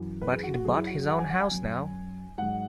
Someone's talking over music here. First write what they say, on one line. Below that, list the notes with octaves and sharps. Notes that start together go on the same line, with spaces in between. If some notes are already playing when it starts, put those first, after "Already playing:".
But he'd bought his own house now.
Already playing: F#2 E3
B4
G#4
F#4
F#4
F#2 F#3 G#4
E4
F#4
G#4
F#5
G#5
F#5
G#5
F#2 F#3
G#2 F#3 F#5